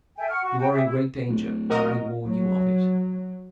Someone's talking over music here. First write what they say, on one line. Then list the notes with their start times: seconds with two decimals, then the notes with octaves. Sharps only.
You are in great danger, and I warn you of it.
0.18 A4 E5 G5 G#5
0.30 F#5 C#6 F6
0.42 F#4 C#6
0.57 F#4 G5
0.72 G4 G#4 E5
0.85 E4
1.28 D1
1.70 F#4 A#4 D#5
2.27 F#3